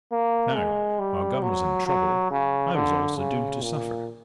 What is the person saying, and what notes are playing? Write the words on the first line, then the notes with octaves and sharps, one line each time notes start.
Now, while Gun was in trouble I was also doomed to suffer.
A#3
G#3
G3
F#3
F#3
C#3
D3
C#3
A#2